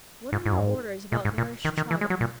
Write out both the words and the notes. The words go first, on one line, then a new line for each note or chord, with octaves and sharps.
What are your orders about Vereshchagin?
G#2
G#2
F#2
G#2
A#2
G#2
A#2
D#3
D#3
E3
G#3
F#3
A#2